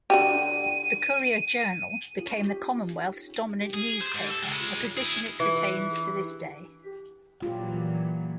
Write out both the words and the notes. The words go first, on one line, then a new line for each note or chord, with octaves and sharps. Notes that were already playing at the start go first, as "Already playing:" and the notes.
"The Courier-Journal" became the commonwealth's dominant newspaper, a position it retains to this day.
D3 F#4 G4 D#7
G#4
C5
G#2
A4
C#3 G#3
E4 G#4
E3
A#2 E3 F#3 F4 G4